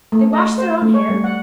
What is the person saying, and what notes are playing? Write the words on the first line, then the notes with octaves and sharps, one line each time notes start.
They washed their own hair.
A3
D#5
C5
A3
C#5
G3
F#5